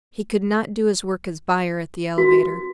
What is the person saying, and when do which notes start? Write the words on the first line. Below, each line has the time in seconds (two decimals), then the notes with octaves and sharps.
He could not do his work as buyer at the elevator.
2.18 F#4